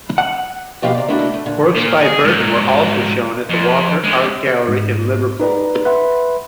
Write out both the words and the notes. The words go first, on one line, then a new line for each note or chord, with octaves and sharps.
Works by Burton were also shown at the Walker Art Gallery in Liverpool.
F#5
B2 F3 A#3 G4 F5
C3 D5
A3 A#3 D4 E4 F#4
A3
A#2 D3
A#2 A#3
G#4
G#2 F#3
F2
D3 G#3
G#2
D#4 B4 D5 A#5
B4 E5 F#5 B5 C6